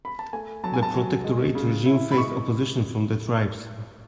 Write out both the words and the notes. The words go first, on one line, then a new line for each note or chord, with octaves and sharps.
The protectorate regime faced opposition from the tribes.
B5
A5
A3 G#5
F#3 A5
G#5
A5
F#3
G#3
C#3
E4
B5
G#3 C#6